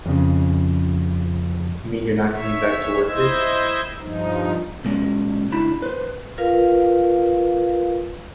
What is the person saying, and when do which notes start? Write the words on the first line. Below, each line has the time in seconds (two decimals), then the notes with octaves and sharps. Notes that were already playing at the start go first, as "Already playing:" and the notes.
You mean you're not coming back to work here?
0.06 F2 C#3
2.29 C#5 E5
3.08 E4 C5 D#5 E6 G#6
3.99 G2 F3 D#4
4.85 A#2 G#3 C#4
5.52 C#2 D4 E4 B5
5.82 B4 C5
6.38 F4 A#4 B4 F5